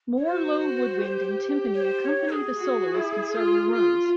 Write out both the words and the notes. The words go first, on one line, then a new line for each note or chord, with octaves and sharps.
More low woodwind and timpani accompany the soloist in several runs.
C#5
F#4 C5
G4
C#5
C5
C#5
G#4
F#4
E4
F4
F4